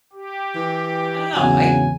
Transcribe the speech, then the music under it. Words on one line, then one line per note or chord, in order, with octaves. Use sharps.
I don't know, I
G4
E3
G#1 E2 C#3 F#3 G#5